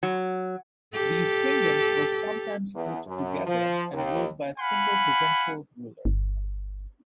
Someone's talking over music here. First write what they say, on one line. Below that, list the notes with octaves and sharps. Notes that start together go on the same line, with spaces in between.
These kingdoms were sometimes grouped together and ruled by a single, provincial ruler.
F#3
G4 A4
E2
F#2
F3
D#2
F5 F#5 G#5 B5
G1